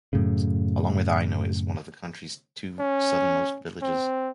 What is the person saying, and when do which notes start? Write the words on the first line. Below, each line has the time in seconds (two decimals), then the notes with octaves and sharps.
Along with Aynho it is one of the county's two southernmost villages.
0.13 F#2 A2 C#3
2.79 C#4
3.82 C4